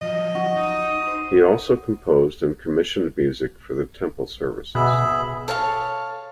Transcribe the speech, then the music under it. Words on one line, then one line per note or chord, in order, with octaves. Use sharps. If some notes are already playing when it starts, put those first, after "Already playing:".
He also composed and commissioned music for the Temple services.
F3 F#3 D#5
F#4
D#4 D#6
C5
B2 G#4 E5 B5
A4 C#5 F5 A5